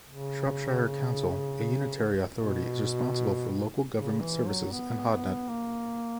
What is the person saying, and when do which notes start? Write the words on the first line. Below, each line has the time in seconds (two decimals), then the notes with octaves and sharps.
Shropshire Council, a Unitary authority is responsible for local government services in Hodnet.
0.09 C#3
2.40 B2
3.95 C#3
4.21 E3
4.47 F#3
4.72 B3
5.11 B3
5.49 A#3